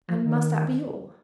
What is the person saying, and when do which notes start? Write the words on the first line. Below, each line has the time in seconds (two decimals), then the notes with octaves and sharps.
"And must that be all?"
0.08 F3
0.25 D#3